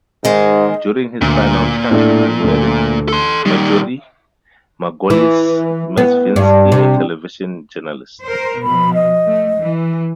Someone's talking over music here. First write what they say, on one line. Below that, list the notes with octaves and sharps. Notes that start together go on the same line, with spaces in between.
During his final term he married Marjorie Margolies-Mezvinsky, a television journalist.
G#2 D#3 G#3 D#5
D2 A#2
A2 A3 D4
D2 A3
A4 C6
A#2 D#3 G3
E3
B3
G2
C3
A#4 C5
B2 F3 B5
D#5
A3
E3